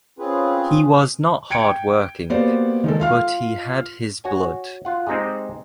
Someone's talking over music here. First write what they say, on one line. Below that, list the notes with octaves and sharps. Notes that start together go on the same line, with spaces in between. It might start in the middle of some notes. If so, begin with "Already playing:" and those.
He was not hardworking, but he had his blood.
C4 C#4 F4 G#4 B4
G5 G#6 C#7 D7
A#3 B3 F#4 G4 C5 D5
D#3 G#3 A4
F4 F5 F6
F#4 C#5 G#5
F4 F#5
G#3 C4 D#4 G4 G#4